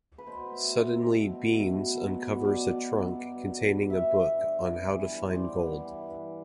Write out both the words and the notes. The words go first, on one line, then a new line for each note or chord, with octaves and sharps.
Suddenly Beans uncovers a trunk containing a book on how to find gold.
B4
B2 C5
A3
C4
B2
B2
A3
B2
F#3
B3
B2 D5
B2
F#3
G2
D3
G3
G2 E5
G2
D3
G2
E3
G3
C5
B3 D5
G2
E3
G2